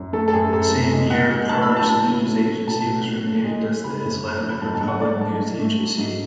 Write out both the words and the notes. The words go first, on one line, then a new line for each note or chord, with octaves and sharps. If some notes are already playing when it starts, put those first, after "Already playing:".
The same year Pars News Agency was renamed as the Islamic Republic News Agency.
Already playing: F#2
A3 A4
A4
F#2 G#4
F#2 A4
A2
G#3
G#3 F#5
G#3
A2 A5
B5
A2
A5
F#3
A2
A3
A3
B2 A5
B2
A2
A2
G#3
G#3
C#3 B5
F#2
F#2
F3
B5
G#2 A5
A5
G#2
F#5
G#2 D5
G#2 A5
G#2
A3
F#3
G#2